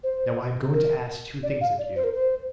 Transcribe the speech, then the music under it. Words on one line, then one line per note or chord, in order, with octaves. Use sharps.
"Now I am going to ask two things of you."
C5
A#4
D5
F5
D5
C5
A#4
C5